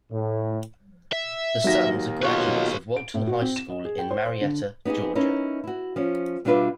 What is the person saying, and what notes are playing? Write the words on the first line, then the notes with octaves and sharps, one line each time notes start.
The sons are graduates of Walton High School in Marietta, Georgia.
A2
E5
D#2 F#3 D#4 A#6
B2 F4 B4 C#5 C#6 F#6
D7
A2
F#4
C4
E7
D#5
G#4
G5
C5
C5
D3
B3 D#4 F4 G4 G#4
C#4 D#4 E4 A#4
E4 F#4
F3 C#4
B2 G3 D4 F4 B4 E5